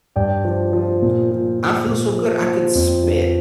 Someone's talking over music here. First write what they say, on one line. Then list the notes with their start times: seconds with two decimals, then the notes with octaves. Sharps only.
I feel so good I could spit.
0.16 G2 D5 G5
0.45 F3
0.73 F3
1.02 A#2
1.31 F3
1.60 F3
1.88 A#2
2.18 F3
2.46 F3
2.75 F2
3.04 F3